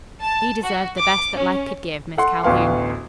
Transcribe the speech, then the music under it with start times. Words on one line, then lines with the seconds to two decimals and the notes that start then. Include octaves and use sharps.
"He deserved the best that life could give, Miss Calhoun."
0.21 A5
0.64 F#4
0.99 D6
1.35 C#4
2.17 A4 F#5 C6
2.43 A1 D2 B3 F5 C6